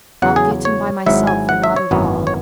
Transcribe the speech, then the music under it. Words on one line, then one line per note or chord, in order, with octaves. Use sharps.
I'll get him by myself or not at all.
E2 C#3 F#3 F#5
G#4
C#5
G#1 G#2 F#3 E4 E5
G#5
F#5
E5
C#5
G#1 F#2 E3 B3
C#5